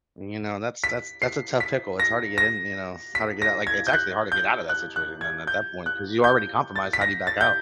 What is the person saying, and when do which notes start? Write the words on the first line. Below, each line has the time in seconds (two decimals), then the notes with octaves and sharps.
You know, that's that's that's a tough pickle. It's hard to get in, you know, hard to get out. Like, it's actually hard to get out of that situation then at that point 'cause you already compromised. How do you back out?
0.84 B6
1.22 C7
1.60 B6
2.00 A#6
2.38 A#6
3.15 B6
3.42 A#6
3.67 G#6
3.87 G6
3.93 F#6
4.32 G6
4.69 F#6
4.96 F#6
5.21 G#6
5.47 G6
5.86 F#6
6.24 G6
6.76 A6
6.93 B6
7.01 A#6
7.27 A6
7.41 G6